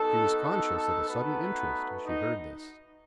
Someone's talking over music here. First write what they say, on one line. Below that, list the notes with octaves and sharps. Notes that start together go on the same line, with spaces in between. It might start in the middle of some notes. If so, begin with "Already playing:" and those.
She was conscious of a sudden interest as she heard this.
Already playing: B3 D#4 F#4 A4
A4
A4
A3 B3 D#4 F#4 B4
D#4 D#5